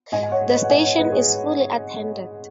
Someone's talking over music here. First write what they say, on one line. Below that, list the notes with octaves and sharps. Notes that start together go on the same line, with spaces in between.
The station is fully attended.
G#2 D#5 G#5
G#5
C#5 F#5
G#3
B4 D#5
F#5
G#2 D#5 G#5
C#5 F#5
G#3 B4 D#5
G#4 C#5